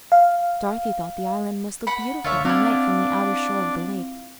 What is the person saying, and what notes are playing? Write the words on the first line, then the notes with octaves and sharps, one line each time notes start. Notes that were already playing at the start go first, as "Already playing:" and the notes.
Dorothy thought the island must look beautiful by night from the outer shore of the lake.
F5
F#5 B5
D2 F4 C#5 E5
C4 D4 E4 F4